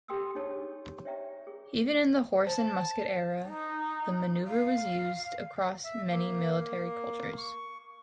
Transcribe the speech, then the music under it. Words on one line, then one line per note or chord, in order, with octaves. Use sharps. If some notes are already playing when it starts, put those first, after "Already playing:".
Even in the horse-and-musket era, the manoeuvre was used across many military cultures.
G4 A4 G5 C6 D#6 E6
D4 D#4 G#4 C#5 A5 C#6
C#5 D5 E5 G5 A#5 C#6
G#4
C5 A5
D#4
F5
E5
A#3
C#6